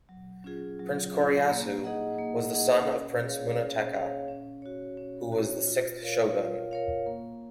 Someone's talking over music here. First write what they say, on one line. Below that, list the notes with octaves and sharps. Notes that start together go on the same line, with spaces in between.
Prince Koreyasu was the son of Prince Munetaka who was the sixth shogun.
F#3
C#4 F4 G#4
F#3
C#4 F4 G#4
A#3
D#4 G#4 D#5 F#5
A#3
D#4 G#4 D#5 F#5
C#4
G#4 C#5 F5
C#4
G#4 C#5 F5
C#4
F#4 C#5
C#4
F#4 C#5
F4
A#4 C#5 F5
F4
A#4 C#5 F5
A#3